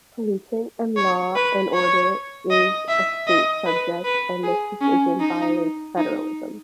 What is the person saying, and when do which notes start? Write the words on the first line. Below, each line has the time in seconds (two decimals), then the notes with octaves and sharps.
Policing and law and order is a state subject, and this decision violates federalism.
0.97 C#5
1.36 B4
1.74 C#5
2.50 D#5
2.89 E5
3.27 D#5
3.66 B4
4.04 B4
4.43 G#4
4.82 C#4
5.20 D#4
5.98 D#4